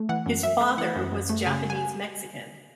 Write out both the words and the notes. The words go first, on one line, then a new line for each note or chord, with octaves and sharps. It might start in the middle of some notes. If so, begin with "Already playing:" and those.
His father was Japanese Mexican.
Already playing: A3
E3 F#5
F#2
F#2 E5
A3
E3 F#5
F#2
F#2
A3
C#3 G#5
G#5